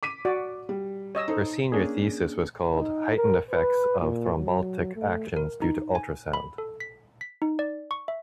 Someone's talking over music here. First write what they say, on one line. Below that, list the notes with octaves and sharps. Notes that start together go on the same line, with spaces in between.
Her senior thesis was called "Heightened Effects of Thrombolytic Actions Due to Ultrasound".
D6 B6 D#7
F#4 D5
G3
C#5 D#5 E6
D#4 A4 C5
A#3 C#4 D4 G#4
D#4
A#4
B4
A#2
F#3
A3
A#4
D#4
G#5
B5
A4
B6
B6
D#4
D5
C#6
E5